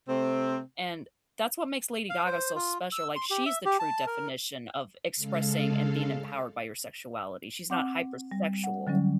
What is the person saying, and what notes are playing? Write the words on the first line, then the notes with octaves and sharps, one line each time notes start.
And that's what makes Lady Gaga so special, like, she's the true definition of expressing and being empowered by your sexuality, she's not hypersexual.
C3 A3 C4
F5
C5
F4
E6
C6
G4
E5
G4
A5
A#4
C#3 G#3 A4 F5
C4 F#5 D6 G6
G3
F#5
D3 F#3 G3 C#4